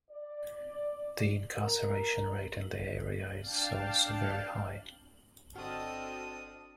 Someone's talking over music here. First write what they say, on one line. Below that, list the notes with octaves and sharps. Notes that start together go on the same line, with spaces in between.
The incarceration rate in the area is also very high.
D5
A#4
D4 F5 G5 A5
G1 C4 D4 F#4 A4 D#5 D#6 F6